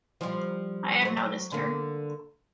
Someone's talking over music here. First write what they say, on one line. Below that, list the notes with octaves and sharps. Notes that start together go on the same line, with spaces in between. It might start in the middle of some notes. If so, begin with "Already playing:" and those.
I have noticed her.
F3 G3
F#3 C4
F#3
D3 A#3